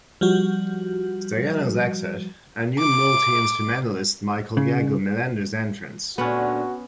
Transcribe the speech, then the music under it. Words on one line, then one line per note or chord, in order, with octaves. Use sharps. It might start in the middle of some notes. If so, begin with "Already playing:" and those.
Staiano's exit, and new multi-instrumentalist Michael Iago Mellender's entrance.
F3 G3 F#4
D6
C#3
D2 A#2 D3 B3 C#4 F#4